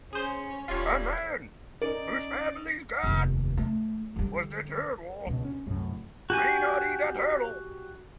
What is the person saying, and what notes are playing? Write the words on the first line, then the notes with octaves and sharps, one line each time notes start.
A man whose family god was the turtle may not eat a turtle.
C#4 G#4 C5
D#1 A2 G3 F4 C#5
C#4 D#4 A#4 D5 D7
F1 D#2
A3
D3 G3
C#2 B2
C#4
C2 F#2 A2
F#4 G4 G#5